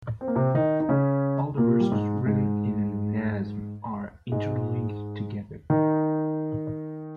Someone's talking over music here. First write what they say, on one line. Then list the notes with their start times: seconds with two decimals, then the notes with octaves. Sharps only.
All the verses written in a Nazm are interlinked together.
0.21 C4
0.28 A#3
0.35 C3 C4
0.54 D#3 D#4
0.80 D#4
0.89 C#3 C#4
1.57 A#2 A#3
1.80 G3
1.92 G#2 G#3
2.26 G#2 G#3
4.32 G#2 G#3
5.70 D#3 D#4